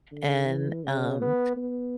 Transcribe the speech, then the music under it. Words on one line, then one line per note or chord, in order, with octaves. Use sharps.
and, um,
D3
E3
C#3
B3
B3